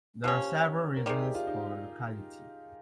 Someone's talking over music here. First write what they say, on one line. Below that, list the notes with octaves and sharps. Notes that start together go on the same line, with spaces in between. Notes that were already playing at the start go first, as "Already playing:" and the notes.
There are several reasons for locality.
F3 A#3 C#4 G4
A#4
C3 D#3 G3 G#4
G4
F4
D#4